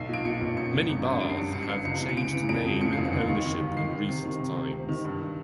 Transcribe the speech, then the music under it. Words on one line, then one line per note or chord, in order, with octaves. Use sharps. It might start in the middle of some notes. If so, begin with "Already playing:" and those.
Many bars have changed name and ownership in recent times.
Already playing: B1 C7
A#2 D7
A#2 C#7
B1
F#2 C#7
C#3
G#1 C#7
F#2
G2 D7
C7
G2 C#7
G2 C#7
C#7
G1 C7
C#2 C#7
E3
C#7
C#3 D7
E3
F2 D7
C#3
C#3 C#7
C7
F1
C#7
D#2
D#3
D#3
D#2
D#3 C7
D#3
C3
D#3
C3
C3
C3
D#3
G2